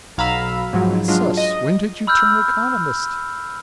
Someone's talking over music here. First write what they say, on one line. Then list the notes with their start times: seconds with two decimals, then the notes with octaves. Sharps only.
"Bless us! when did you turn economist?"
0.17 B1 F#3 F5 A#5 B5 E6
0.73 G#2 F3 F#3
1.08 F#3 G#3 D4 F4
1.37 D#5
2.07 B5 E6 F6 G6